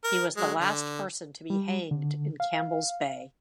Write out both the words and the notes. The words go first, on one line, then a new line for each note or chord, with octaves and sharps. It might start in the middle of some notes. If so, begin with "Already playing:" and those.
He was the last person to be hanged in Campbell's Bay.
A#4
F#3 G#3
D3
G3
D3
F5